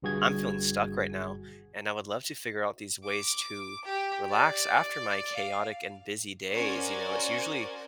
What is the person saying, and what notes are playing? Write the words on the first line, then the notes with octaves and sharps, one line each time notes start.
I'm feeling stuck right now, and I would love to figure out these ways to relax after my chaotic and busy days, you know? It's usually
G1 G2 F#4 G#4 G#6
D6
G4
D5
F5
C#4 F#4 A#4 C5 D5 G#5